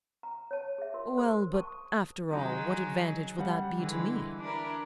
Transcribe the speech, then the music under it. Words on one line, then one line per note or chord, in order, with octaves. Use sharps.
"Well, but, after all, what advantage will that be to me?"
A#5
C#5 A5
G#4 E5
F4 A#4 C6
G#4 A#4 C5 C6
A5 C#6 D#6
D#3 F#3 G#3 D#4 F#4
G3 F#5
D3 E3 G#3
D4 E4 A#4